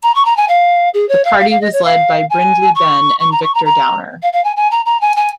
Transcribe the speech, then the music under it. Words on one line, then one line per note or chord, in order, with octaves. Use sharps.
The party was led by Brindley Benn and Victor Downer.
A#5
C#6
A#5
G#5
F5
G#4
C#5
F5
F5
F5
D#5
C#5
F5
G#5
C#6
C#6
A#5
C#6
A#5
A#5
F5
F5
G#5
G#5
A#5
A#5
G#5
G#5